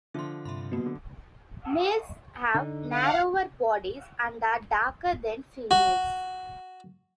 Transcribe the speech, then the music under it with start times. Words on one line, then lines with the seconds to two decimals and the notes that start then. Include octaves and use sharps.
Males have narrower bodies and are darker than females.
0.14 D3 F3 E5 C6
0.45 G2 C3 E5 B5 C6
0.72 B2 F#3 A#3
0.86 D3
2.55 D3 D#4
2.90 F5 F#5
5.71 F#4